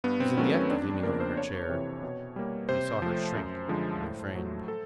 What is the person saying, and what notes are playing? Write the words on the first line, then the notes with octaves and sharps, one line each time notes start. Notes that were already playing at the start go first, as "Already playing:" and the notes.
He was in the act of leaning over her chair, but he saw her shrink, and refrained.
G2 B3
C4
D#3 F#3 A3 C#4
C#4
F2 D4
C#3 F3 A#3 A#4
C5
F2 C#5
C3 E3
B2
G3 A#3
C3 C5
F3 A3
F#2
D3 F3 G#3
A2
F#3 A3
A4